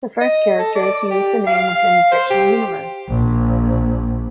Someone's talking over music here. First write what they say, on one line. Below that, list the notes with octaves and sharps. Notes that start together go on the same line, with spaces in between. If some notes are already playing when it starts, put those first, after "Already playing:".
The first character to use the name within the fictional universe.
D#5
A4
D5
G4
F5
C5
G4
A#1